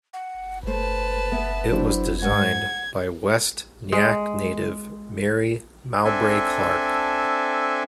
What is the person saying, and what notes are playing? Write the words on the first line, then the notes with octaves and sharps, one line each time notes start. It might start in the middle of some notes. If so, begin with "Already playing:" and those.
It was designed by West Nyack native Mary Mowbray-Clark.
F#5
A3 B4 C5 A5
B3 E5
F#3 D4 E4 C5
G#2 F#5 G#6
G#3
C4 D4 A4 E5 G#5